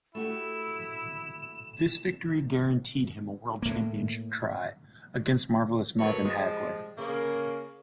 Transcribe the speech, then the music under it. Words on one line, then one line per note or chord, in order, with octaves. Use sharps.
This victory guaranteed him a world championship try, against Marvelous Marvin Hagler.
A3 E4 F#4 G4 E7
A2 A#3
D3 F#3 A#3 A4 B4 C#5
F3 G3 G#3
C#3 A#3